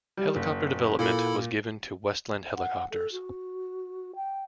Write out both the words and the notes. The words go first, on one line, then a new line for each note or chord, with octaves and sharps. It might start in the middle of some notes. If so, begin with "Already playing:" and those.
Helicopter development was given to Westland Helicopters.
G3
F#1
A#2 E4 A4 B5
F#5
A4
F#4
G5